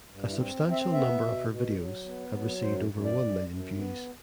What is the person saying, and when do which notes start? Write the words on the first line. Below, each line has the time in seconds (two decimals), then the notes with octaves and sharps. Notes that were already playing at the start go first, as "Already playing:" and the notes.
A substantial number of her videos have received over one million views.
0.09 G2
0.29 E4
0.37 C4
0.65 C4
0.72 E5
0.93 B3 E5
1.21 B2
1.50 B2
1.78 F#3
2.06 B3
2.34 F#3
2.62 F#2 C5
2.91 F#2
3.05 D5
3.19 F#2
3.47 F#2
3.75 B3